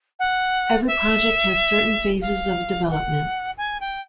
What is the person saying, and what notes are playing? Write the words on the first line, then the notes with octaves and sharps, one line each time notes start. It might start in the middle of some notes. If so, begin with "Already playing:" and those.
Every project has certain phases of development.
F#5
E5
F5
F#5
G#5
G5